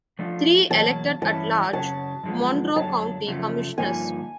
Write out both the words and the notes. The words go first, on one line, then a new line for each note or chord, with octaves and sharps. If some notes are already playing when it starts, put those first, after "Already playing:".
Three, elected at large, Monroe County Commissioners.
F3 A3 D4 F4
E2 B2 F#3 A#3 A5
G2 E3 A3 C#4 E4 A5
F#2 C#3 F#3 A5
F#2 D3 F3 G#3 B3
F#2 D3 F#3 A5
F#2 C#3 F3 A3
G2 D3 F3 A#3 D#4 G#5